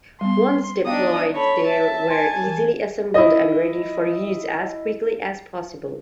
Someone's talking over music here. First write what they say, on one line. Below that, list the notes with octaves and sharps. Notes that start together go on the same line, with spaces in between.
Once deployed, they were easily assembled and ready for use as quickly as possible.
G3 B3 C6
B3 D4 D#4 F5 G5 D#6
A4 C#5 B5
E5 A5
G#5 C6
E3 A#4
E4 D#5